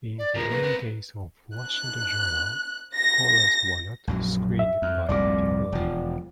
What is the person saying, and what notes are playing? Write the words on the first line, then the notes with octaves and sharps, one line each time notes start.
In the early days of "Washington Journal", callers were not screened by ideology.
D5
F3 G#3 A#4
A#2 B4
C4 B5
F#6
A#6
A#1 F#2 F#3
E5
F2
F1 C2 A#2 D5 D6
E1 F3